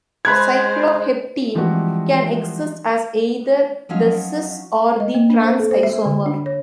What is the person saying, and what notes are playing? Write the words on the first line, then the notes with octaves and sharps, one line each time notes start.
Cycloheptene can exist as either the "cis"- or the "trans"-isomer.
G#3 C5 B5 F#6 G#6
E3 F3 G3 G#3 C4 F#4
F3 F#3 C#4 D#4 F5
D#5
A#3
D4
C5
A4
C5
E5
D3
D4
C#5